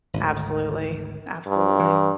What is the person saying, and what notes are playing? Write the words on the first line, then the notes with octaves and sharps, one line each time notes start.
Absolutely. Absolutely.
G#1 D2
G2
E3